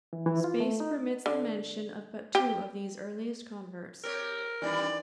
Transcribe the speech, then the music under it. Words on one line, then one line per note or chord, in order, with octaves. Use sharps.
Space permits the mention of but two of these earliest converts.
E3
E3
F4
A3
D#4
D3
G4
C4 G4 A#4 C#5
F#2 D#3 E3 G3 D5